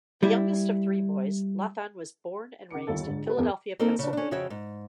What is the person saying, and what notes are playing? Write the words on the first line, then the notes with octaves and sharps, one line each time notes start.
The youngest of three boys, Lathan was born and raised in Philadelphia, Pennsylvania.
G3 E4
C#3 F#5 D6 C#7
G1 D#2 D#3 A4 A6
G#2 D3
G4 B4
E2 A#3 B3 G#4 A#4
A#3 C4 D#4 A4 A#4
C#3 D4
C#4 D4
F2 C#3 F#4 C#5 E5 G5
G#2